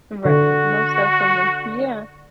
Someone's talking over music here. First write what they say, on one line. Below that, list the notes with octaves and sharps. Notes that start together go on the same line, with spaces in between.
Right, most definitely. Yeah.
D3 F#4